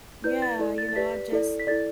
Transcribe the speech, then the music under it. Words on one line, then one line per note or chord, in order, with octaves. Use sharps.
Yeah, you know, I just
E4 B4 D5 G6
A6
E4 A4 D5
A6
A6
G4 B4 D5 B6
E4 A4 D5
B6
E4 A4 D5 A6